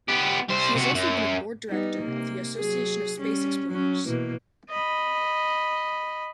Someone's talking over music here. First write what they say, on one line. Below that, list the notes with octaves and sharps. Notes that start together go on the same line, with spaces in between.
He has also been a board director of the Association of Space Explorers.
B3 G4
G3 C5
C3 F#4
F#2
G3 B3 D#4
C3 A#3
F#3 G#4
G3 C#4
F#3 C#4
B2 E3 A#3
D#5 B5